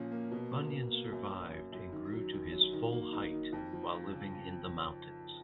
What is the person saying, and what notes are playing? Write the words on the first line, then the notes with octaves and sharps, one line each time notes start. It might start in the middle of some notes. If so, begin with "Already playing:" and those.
Bunyan survived and grew to his full height while living in the mountains.
Already playing: A#2 F3 C#4
A#3
B2
A#3
B2
A#3
F#2
F#2
F#2
F#2
D#3
F#3
D#3
F#3
D#3
A#3
D#4
D#3
F2
F3
F3
C#3